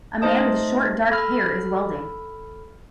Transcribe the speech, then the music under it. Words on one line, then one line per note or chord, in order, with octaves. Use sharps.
A man with short dark hair is welding.
A3 D#4 C5 D#5 A5 D#6
A4 B5 F6